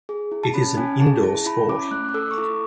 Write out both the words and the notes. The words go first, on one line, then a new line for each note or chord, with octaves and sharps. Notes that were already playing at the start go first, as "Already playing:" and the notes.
It is an indoor sport.
G#4
E4
A5
C#4 B5
A5
C#4 G#5
G#4 A5
E4 A5
E4 B5
C#4 D6
A3 F#6
D6
A4 E6
C#6
E4 D6